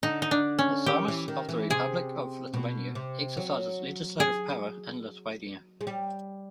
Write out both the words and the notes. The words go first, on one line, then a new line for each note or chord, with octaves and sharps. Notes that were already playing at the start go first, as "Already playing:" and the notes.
The Seimas of the Republic of Lithuania exercises legislative power in Lithuania.
D3 D#4
D#4
D4
C#4
D#3 G4
E3
D#3
E3
C3 G#4
B2
C3
F#3
G#4
G#3
G3